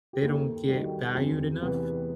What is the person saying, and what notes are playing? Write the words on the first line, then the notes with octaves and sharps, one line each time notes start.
they don't get valued enough
G4
D#2 A4
D#3 G3 F#4
E2 C4
C3 E3 B3